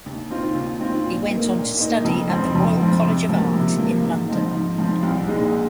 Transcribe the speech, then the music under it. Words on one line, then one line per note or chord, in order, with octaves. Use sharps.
He went on to study at the Royal College of Art in London.
D#2
D#3 C4 F4
D#2
D#3 C4 F4
A#2
A#3 D#4
A#2
A#3 D#4
F2
F3 C4
F2
F3 C4
C3
F3 A#3
C3
F3 A#3
G#2
F3 C4 D#4
G#2
F3 C4 D#4
C2
A#2 G#3 D#4